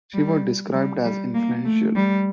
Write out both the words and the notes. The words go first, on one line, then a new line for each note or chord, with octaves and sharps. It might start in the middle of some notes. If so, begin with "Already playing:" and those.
She was described as influential.
G3
G3
G3
A#3
A3
G3